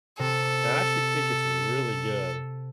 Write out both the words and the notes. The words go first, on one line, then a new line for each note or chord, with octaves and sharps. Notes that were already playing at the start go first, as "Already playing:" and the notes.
and I actually think it's really good,
C3 A4